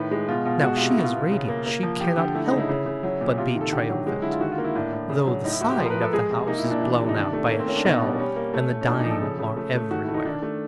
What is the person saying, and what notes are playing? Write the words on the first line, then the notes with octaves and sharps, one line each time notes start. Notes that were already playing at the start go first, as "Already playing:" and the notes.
Now she is radiant, she cannot help but be triumphant, though the side of the house is blown out by a shell and the dying are everywhere.
Already playing: A2 D#3 B4
G#3
B2 F4
B2 F4
G#3 F#4
C3 F4
E4
B2
F4
B2
C#3
A#3
A#3
F3
F3 G4
D3 G4
A3 E4
D#4
C#3
E4
C#3
C#3
F#3
A#2
C3 F4
D#3
A4
D3 G4
F#3
G#3
D3 E4
F4
D#3 F#4
F4
A#3
E4
A2 D4
A2
C#3
F#3
A2 D#4
E4
A2 F#4
G4
F3 C5
A#4
B4
F3
A4
G#3 G#4
C3
A#3 D#4
E4
A#2
D4
E3
C3
D#4
D#3 D4
A3 D4
A#3 C#4
C4
A#3 C#4
D4
B2 D#4
D4
G3
C#4
G3 C#4
A#3
A3
A3
C#4
A#2 D4
D#4
F3
A4
C#3
C#3
A3
A3
D#3 F#4
E4
A3
D#4
D#3 D4
A3